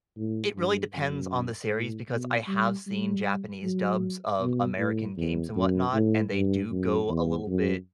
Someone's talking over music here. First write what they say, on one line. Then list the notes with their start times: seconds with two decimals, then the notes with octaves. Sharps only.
It really depends on the series because I have seen Japanese dubs of American games and whatnot, and they do go a little bit-
0.17 A2
0.56 G2
0.94 F#2
1.71 A2
2.10 B2
2.47 G3
2.87 G3
3.63 F#3
4.41 B2
4.78 A2
5.17 E2
5.56 F#2
5.94 A2
6.33 G2
6.71 F#2
7.09 E2
7.48 F#2